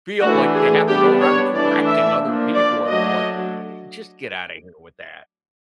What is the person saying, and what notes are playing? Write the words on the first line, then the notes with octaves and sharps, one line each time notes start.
feel like they have to go around correcting other people, and I'm like, I "Just get out of here with that."
E3 A3 D4 F#4
G#4
G3 B3 D4 G4
C#5
E3 A3 D4 D5
E5
F3 A#3 D4
D5
F#3 A3 D4 D#5